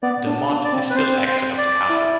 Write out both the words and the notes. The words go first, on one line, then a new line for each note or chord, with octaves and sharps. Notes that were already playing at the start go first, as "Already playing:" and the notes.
The motte is still extant of the castle.
B3 D5
D4
D4
D5
C4
B4
C4 C5
C5
D5
E4